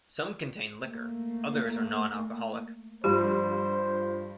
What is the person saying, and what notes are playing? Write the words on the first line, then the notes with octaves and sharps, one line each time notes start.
Some contain liquor, others are non-alcoholic.
A3 A#3
G2 F3 G4 C5